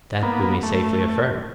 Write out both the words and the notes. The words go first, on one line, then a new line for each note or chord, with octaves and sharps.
That we may safely affirm.
A#3 B3
A3